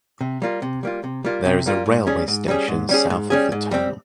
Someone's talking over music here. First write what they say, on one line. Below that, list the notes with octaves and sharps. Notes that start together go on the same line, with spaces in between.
There is a railway station south of the town.
C3
G3 A#3 F4
C3
G3 A#3 F4
C3
G3 A#3 F4
C3
G3 A#3 F4
G#2
G3 C#4 G#4
G#2
G3 C#4 G#4
G#2
G3 C#4 G#4
G#2
G3 C#4 G#4
G#2
G3 C4